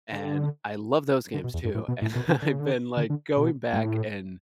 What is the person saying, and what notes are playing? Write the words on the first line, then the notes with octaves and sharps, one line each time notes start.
And I love those games too, and I've been, like, going back and
D3
D3
B2
E2
G2
A2
B2
A2
B2
C#3
D3
C#3
D3
D3
D3
B2
G2
A2